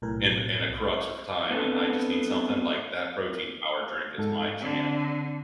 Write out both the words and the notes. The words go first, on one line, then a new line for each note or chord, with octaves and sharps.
in, in a crux of time, and I just need something, like that protein power drink is my jam.
B1 A2 A#4
B3 C4 D4 A4 B4 C5
G#2 A4
D3 C4